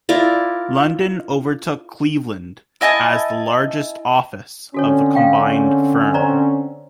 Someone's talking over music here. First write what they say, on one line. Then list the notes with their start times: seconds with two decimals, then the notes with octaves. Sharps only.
London overtook Cleveland as the largest office of the combined firm.
0.09 E4 F4 A#4 D5
2.81 E4 D#5 G#5 A5
4.74 D3 C4 C#4 F#4 A4 C#5
5.15 A4 F5 G5
5.49 G#4 C#5
6.14 C5 D5 A#5